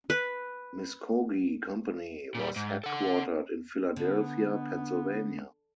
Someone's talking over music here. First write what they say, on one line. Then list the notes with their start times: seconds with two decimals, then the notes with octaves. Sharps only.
Muskogee Company was headquartered in Philadelphia, Pennsylvania.
0.10 B4
2.35 A#2 G3
2.56 G#2
2.84 A4 F#5
3.96 D3 B3